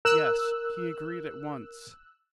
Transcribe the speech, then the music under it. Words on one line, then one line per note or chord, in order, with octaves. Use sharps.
"Yes; he agreed at once."
A#4 E6 F#6